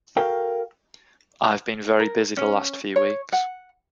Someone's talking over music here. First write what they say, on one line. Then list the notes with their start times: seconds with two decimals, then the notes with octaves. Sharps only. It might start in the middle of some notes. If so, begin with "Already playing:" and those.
I've been very busy the last few weeks.
0.17 F#4 A4 A#4 F5 G5
2.00 A#4
2.37 C#4
2.96 C#5
3.32 F#5